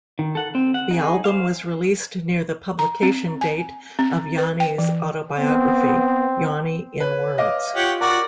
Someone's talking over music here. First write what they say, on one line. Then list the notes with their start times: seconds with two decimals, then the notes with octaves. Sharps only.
The album was released near the publication date of Yanni's autobiography, Yanni in Words.
0.19 D#3
0.35 A4 F#5
0.55 C4
0.74 F#5
0.91 D#4 G#4
1.24 C5 F5
2.79 A#5
3.03 C4
3.41 G#5
3.99 C4
4.38 B4
4.60 G5
4.78 E3
5.38 B3 C4
7.00 B4 C#5
7.38 D#5 F5 D6
7.75 F4 G4 C#5 F#5
8.01 F#4 A#4 D5